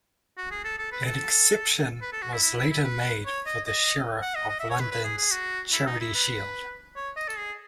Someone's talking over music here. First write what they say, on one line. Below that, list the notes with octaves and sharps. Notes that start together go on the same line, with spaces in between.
An exception was later made for the Sheriff of London's Charity Shield.
F#4
G#4
A4
A4
B4
A4
B4
A4
F#4
E4
E4
E4
E4
B4
C#5
D#5
D#5
F#5
D#5
D#5
E5
C#5
B4
B4
G#4
G#4
F#4
E4
D#4
E4
B4
C#5
D#5
A4
G#4